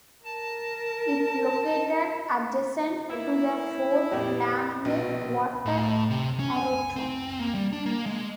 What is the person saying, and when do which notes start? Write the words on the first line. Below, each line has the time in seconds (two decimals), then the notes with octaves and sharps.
It located adjacent to the Fort Langley Water Aerodrome.
0.24 A#4 A5
3.10 A#3 B3 E4
4.11 F2 A#2 G4
4.85 A#1 B2
5.66 A2
6.10 C3
6.39 C#4
6.57 G#5
6.96 C4
7.39 A#3
7.55 G3
7.73 D4
7.86 A#3
8.06 G#3